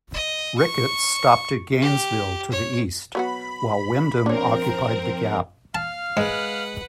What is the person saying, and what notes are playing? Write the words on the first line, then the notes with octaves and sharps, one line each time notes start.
Ricketts stopped at Gainesville, to the east, while Wyndham occupied the gap.
D#5
C#6
G4
C#5
F#3 B3 F#4 B5
F3 C4 D4 A#4 C#5
F5 A5 F6
G#2 G#3 B4 F#5